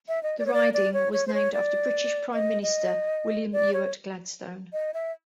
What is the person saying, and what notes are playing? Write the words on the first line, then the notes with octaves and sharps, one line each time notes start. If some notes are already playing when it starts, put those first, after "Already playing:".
The riding was named after British Prime Minister William Ewart Gladstone.
E5
D#5
D5
C#5
D5
D5
C#5
C#5
C5
C#5
D5
D#5
D#5
D5
C#5
D#5
E5